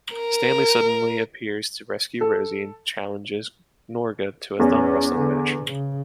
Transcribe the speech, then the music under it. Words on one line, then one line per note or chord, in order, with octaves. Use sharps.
Stanley suddenly appears to rescue Rosie and challenges Gnorga to a thumb-wrestling match.
A#4
A4
E2 C#4
D3
C#3